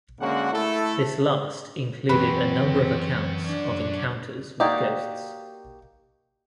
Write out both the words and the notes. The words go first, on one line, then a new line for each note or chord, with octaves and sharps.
This last included a number of accounts of encounters with ghosts.
D3 G#3 A#3 C#4 F#4 F#5
A3 E4 A4
F#2 E3 C4 B4
D4
A#3 D#4 F#4 G4 D5